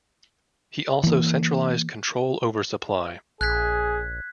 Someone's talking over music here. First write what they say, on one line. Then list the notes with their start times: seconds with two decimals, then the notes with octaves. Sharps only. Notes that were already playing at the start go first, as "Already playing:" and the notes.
He also centralized control over supply.
1.03 E3 A#3
3.41 A#1 G#4 F#6 G#6 B6